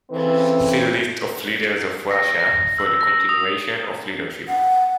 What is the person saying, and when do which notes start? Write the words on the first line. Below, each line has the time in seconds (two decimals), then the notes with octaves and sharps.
See List of leaders of Russia for the continuation of leadership.
0.11 C#3 E3 C4 A4 B4
2.11 A#6
2.40 A#6
2.78 E6
3.01 A#6
3.29 D#6
4.48 F#5